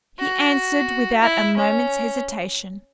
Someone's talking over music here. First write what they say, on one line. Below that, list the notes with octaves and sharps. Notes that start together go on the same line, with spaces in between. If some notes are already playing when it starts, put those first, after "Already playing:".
He answered without a moment's hesitation.
F#4
E4
C#4